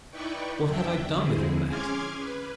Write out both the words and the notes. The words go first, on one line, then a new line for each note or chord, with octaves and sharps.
What had I done with all that?
D#4 E4 B4 D5 G5 C#6
E2 F#3 D4 E5 G5
D3 F3 G#3 C4 E4 G#4
C#4 G#4 C6 D6 F6 G#6
B4